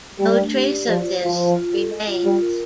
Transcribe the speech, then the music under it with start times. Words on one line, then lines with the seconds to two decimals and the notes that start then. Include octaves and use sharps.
No trace of this remains.
0.20 G3 A3
0.37 D4
0.53 G4
0.71 D5
0.88 F3 F4
1.05 C5
1.22 F3 F5
1.40 F4
1.56 F4
1.74 A4
1.91 D#5
2.07 F4
2.25 G3 F4
2.42 A#4